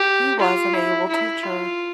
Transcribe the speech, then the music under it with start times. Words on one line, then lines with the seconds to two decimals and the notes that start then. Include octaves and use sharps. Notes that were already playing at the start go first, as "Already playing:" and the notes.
He was an able teacher.
Already playing: G4
0.39 F4
0.74 E4
1.09 E4
1.43 F4